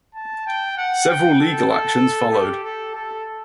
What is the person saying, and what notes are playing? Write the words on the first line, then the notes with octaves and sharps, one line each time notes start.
Several legal actions followed.
A5
G5
F#5
G5
A4
A4
G4
A4
A4